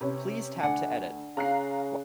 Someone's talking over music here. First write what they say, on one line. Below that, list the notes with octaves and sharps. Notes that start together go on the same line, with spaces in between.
Please tap to edit.
C3 C#4 B4
D2 D4 F#5 G#5
C#3 F5 A#5 F#6 C7